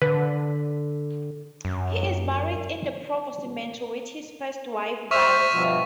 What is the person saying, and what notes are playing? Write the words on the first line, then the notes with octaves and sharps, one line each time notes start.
He is buried in the Provo Cemetery with his first wife Diantha.
D3 B4
F#2
C5 E5 C#6 E6 F6
G2 B2 F3